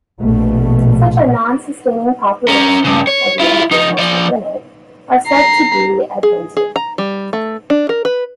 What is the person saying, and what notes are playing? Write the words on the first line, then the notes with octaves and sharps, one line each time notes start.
Such a non-sustaining population, or the individuals within it, are said to be adventive.
A#1 B2 A3
C#4 A#4
G2 C#3
C#5
E4 F4
F3 D#4
F3 D5
A#5 C7
G#4
G#4
A#5
G3
A3
D4
A#4
B4